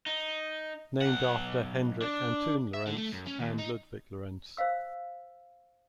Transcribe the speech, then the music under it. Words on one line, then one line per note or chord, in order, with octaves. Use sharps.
Named after Hendrik Antoon Lorentz and Ludvig Lorenz.
D#4
B1 F#5
D4
E5
D3
A3
F#2
C#4
D#2
D#4
C5 D#5 F5 E6